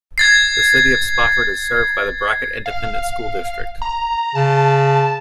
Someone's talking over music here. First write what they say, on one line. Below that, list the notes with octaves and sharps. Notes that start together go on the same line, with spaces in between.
The City of Spofford is served by the Brackett Independent School District.
G#6 A6 C7
F5
A#5
C#3 A5